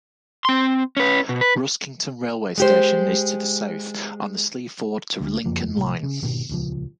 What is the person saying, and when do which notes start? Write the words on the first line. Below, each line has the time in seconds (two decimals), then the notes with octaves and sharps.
Ruskington railway station is to the south, on the Sleaford to Lincoln line.
0.45 C4 C6
0.97 C#4 B4
1.29 B2
1.41 B4
2.58 G#3 G4 C5
5.20 D2
5.44 F#1 F2 F3 A#3
5.77 C2 A2
6.03 C#3
6.22 G#2 B2 D#3 C4
6.49 D#1 C#2 C#3 F3